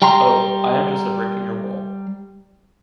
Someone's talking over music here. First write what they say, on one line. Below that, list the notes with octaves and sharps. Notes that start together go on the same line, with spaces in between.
Oh, I am just a brick in your wall.
G3 G5 A#5 C6